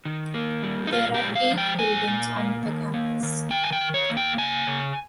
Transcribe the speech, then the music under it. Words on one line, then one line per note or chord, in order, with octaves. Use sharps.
There are eight buildings on the campus.
D#3
A#3
G3
D#4
A#2 F4
G4
G#3
F5
F3
G5
A#2 G#5
A#2
A#3
D#3
A#3
D#3
D#3 G5
G#5
G5
D#3
C#5
A#3
G5
C#3 G#5
C#3